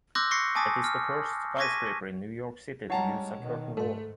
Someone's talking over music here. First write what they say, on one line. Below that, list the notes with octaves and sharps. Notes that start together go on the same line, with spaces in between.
It is the first skyscraper in New York City to use a curtain wall.
C6 D6 E6 F#6 G6 A#6
C#6 A#6 C7 C#7
G#5 A5 D6 D#6 A6 B6
F6
C#6 D6 G#6 A#6 B6 D#7
G3 G#3 C#4 E4 C#5 F#5 A5 A#5
B2 D#3
G#2 A3 A#4 C6